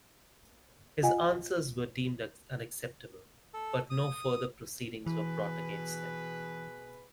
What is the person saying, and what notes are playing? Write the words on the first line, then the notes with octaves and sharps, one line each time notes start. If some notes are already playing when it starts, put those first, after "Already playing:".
His answers were deemed unacceptable, but no further proceedings were brought against him.
F4 D#5 F#5 G#5
A4
D#6
B2 E3 G#4 B4